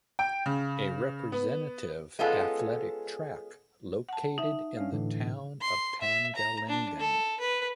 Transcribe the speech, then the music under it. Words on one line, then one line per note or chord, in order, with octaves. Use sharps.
A representative athletic track located in the town of Pangalengan.
G5
C#3
B3
G#3 B3 C#4 F4 A4
F#5 A5
D#4 E5
C#4 D4 F5
A2 D3 E3
C6
E5
A#5
D4
A4
B4